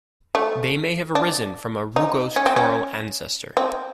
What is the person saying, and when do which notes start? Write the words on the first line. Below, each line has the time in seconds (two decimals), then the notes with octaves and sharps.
They may have arisen from a rugose coral ancestor.
0.35 A3
1.15 D4
1.96 D#4
2.36 C#4
2.46 C4
2.56 C#4
3.57 C4